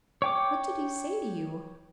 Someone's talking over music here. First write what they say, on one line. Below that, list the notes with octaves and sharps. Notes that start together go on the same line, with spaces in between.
"What did he say to you?"
C#5 G5 D6